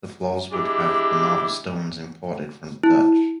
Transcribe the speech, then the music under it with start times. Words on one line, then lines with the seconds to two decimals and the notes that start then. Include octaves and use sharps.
The floors would having the marble stones imported from Dutch.
0.52 G#3 D4 E4 G4
2.83 E4